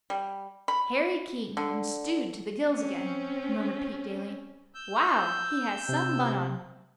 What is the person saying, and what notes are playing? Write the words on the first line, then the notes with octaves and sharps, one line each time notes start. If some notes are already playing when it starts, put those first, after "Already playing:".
"Harry King, and stewed to the gills again!" murmured Pete Daley. "Wow! he has some bun on!"
G3
B5
D3
C4 C#4
E6 G6
C3